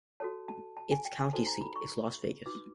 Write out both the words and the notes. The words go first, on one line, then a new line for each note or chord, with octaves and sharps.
Its county seat is Las Vegas.
F#4 A4 C#5 A5
A5
A5
G#5
G5
G#5
D#4 F#4 A4 C5 A5
A#5
B5
C#6
D#4 F#4 B4 D6